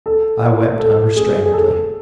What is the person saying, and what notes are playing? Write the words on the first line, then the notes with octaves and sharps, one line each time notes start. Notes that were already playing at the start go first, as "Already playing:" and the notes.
I wept unrestrainedly.
A4
A4
G#4
G#4
A4